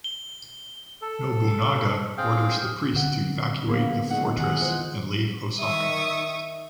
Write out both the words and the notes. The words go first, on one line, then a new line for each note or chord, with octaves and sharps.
Nobunaga orders the priest to evacuate the fortress and leave Osaka.
G7
A4
C4 G#4 F5 G5
D3 C4 F#5
A#3 B3
A2 G#3 D#4 F#5
D#3 E3 G#3 F#5
F4 C5
D#3 E5 C#6 D#6